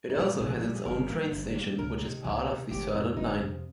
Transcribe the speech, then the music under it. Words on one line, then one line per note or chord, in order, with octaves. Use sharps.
It also has its own train station, which is part of the Sørland line.
D#4
A#2 G3 G4
F4
A#1 G#4
A#2 G3
G#4
G1 A#4
G2 D#3 A#3
G1
G2 D#3 A#3
C#2 A#4
C3 D#3
C#2 G#4
C3 D#3
G1 G4
F2 C3 F3
G1 D#4
F2 C3 F3